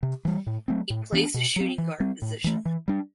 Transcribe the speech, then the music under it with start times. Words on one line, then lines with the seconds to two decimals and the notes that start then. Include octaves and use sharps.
He plays the shooting guard position.
0.03 C3
0.25 E3 G3
0.47 A2
0.68 F#3 A3 C4
0.90 A2
1.12 E3 B3 D4
1.34 B2
1.56 F#3 C4
1.78 E3
2.00 G3 C4
2.22 A2
2.44 E3 A3
2.65 E3
2.88 G3 D4